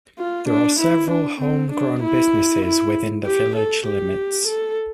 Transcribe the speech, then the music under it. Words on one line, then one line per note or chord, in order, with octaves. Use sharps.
There are several "home grown" businesses within the village limits.
F4
D4
E4
D4
C4
D4
E4
E4
G4
A4
G4
A4